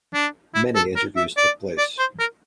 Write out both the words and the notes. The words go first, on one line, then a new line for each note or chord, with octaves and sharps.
Many interviews took place.
D4
E4
A4
A#4
E5
D5
D5
C5
A#4